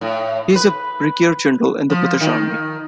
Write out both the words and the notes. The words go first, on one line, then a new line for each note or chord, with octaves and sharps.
He was a Brigadier-General in the British Army.
A2
B4
F3
D#3